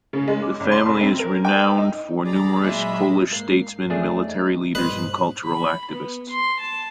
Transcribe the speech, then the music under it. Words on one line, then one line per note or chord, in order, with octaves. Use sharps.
The family is renowned for numerous Polish statesmen, military leaders, and cultural activists.
C#3
G#3
D6
F#1
C6
F1
C4
A#4
G5
D#4
G#4 D5 A#5 B5 A6
A#2 F#3 G#3 D#4 D#5 E5 B5
G#2 A#3 C7
E2 A3 C#4 D4 G#4
D#4
G2 A#2 G3 B4 C5 D#5
B5
B3
C6
A5